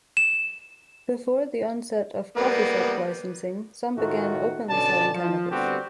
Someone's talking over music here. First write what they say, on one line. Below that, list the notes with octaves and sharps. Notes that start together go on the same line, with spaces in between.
Before the onset of "coffeeshop" licensing, some began openly selling cannabis.
E7
G3 A#3 B3
A2 D#3 A3 F4 F#4
B2 D3 C#4 D5 A5
F3
D3 G3 B3 C4 F#4 G4